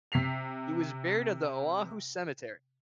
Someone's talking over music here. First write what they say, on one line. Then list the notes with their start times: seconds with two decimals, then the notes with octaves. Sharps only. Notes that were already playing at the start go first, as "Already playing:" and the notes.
He was buried at the Oahu Cemetery.
0.12 C3 B6 C7 F7